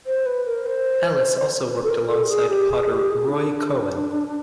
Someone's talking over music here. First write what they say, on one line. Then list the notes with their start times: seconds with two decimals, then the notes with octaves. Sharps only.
Ellis also worked alongside potter Roy Cowan.
0.06 C5
0.26 B4
0.46 A#4
0.66 C5
1.68 B4
1.83 A4
1.89 A#4
2.08 A4
2.25 G4
2.29 G#4
2.49 G4
2.70 G#4
2.90 G4
3.11 G#4
3.30 D4